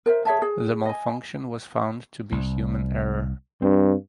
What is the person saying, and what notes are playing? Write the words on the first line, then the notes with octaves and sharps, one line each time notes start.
The malfunction was found to be human error.
A#4 C5 E5
G#4 C#5 E5 A5
G#4
D#5 G#5
C2
G2 C4